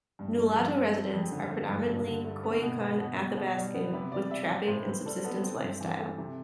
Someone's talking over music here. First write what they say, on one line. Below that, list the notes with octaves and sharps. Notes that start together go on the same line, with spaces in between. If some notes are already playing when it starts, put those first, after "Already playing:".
Nulato residents are predominantly Koyukon Athabascan with trapping and subsistence lifestyle.
G2
G2
F3
C4
C4 A4
F2
D3
A3
G2
G2
D3
A3
B3
B2
B3
B2
B2
B2
G3
B3
C3 B4
C3 D5
G3 E5
C4 D5
A2 C5
A2 B4
G3 A4
B3 A4
C4
G2
E3
A3
C3